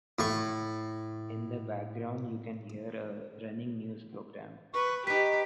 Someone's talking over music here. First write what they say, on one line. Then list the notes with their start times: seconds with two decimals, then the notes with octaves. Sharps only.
In the background you can hear a running news program.
0.19 A2 C#6
4.74 B4 C#6
5.07 D#4 G4 B4 B6